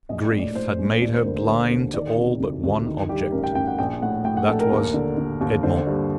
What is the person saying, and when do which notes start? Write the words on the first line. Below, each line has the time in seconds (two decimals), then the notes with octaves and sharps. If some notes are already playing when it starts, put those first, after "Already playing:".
Grief had made her blind to all but one object--that was Edmond.
0.09 A#1 D#5
0.24 D5
0.32 A2
0.39 D5
0.55 A2 C5
0.79 A#1
1.01 D#2 D5
1.14 C5
1.25 D3 A#4
1.36 C5
1.48 D3
1.71 D#2
1.93 D#3 D5
2.17 C3
2.40 D2
2.64 D2
2.86 D#3
3.09 G2 G4
3.32 A1 A#4
3.44 G5
3.55 A1 G5
3.67 F#5
3.78 A#1 G5
4.02 A2 F#5
4.25 A2 G5
4.37 F#5
4.48 A#1 A4
4.60 A#4
4.72 D#2
4.94 D3
5.18 D3
5.41 D#2
5.63 D3 C5
5.87 G2